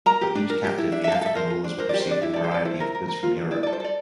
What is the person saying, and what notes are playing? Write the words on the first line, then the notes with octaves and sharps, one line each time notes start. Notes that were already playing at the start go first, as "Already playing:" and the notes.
For each captive, the African rulers would receive a variety of goods from Europe.
A#4 A#5
G4
D4
A#4
G4
E4
D4 E5
A4 E5
F5
A4 E5
A#4 C5
F4
D4
A#4 C5
G4 D5
C5
D4 D5
E4 E5
A4 D5
C5
A4 D5
E4 C5
A#4
A#4
A#4
F4
D4
E4 D5
A4 D5
C5
A4 D5